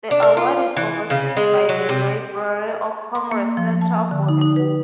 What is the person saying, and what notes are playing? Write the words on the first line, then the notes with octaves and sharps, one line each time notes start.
The award is overseen by the Library of Congress Center for the Book.
D4
A#4
F4
E3
C#3
G#3
F#3
C3
C6
A#3
F3
A5
D3
D#4
D#4
B4